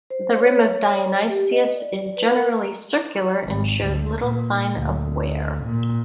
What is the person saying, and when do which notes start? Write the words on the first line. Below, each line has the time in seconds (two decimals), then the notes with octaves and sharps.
The rim of Dionysius is generally circular and shows little sign of wear.
0.10 C5
0.38 C#5
1.29 G4
1.52 D#5
1.75 D5
2.17 B4
2.31 A#4
2.53 A#5
3.44 G#1
3.85 D2
4.24 A#2
4.76 D2
5.65 A#2